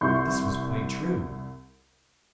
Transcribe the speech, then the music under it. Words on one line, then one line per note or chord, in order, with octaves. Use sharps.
This was quite true.
C2 E4 C6 C#6 G6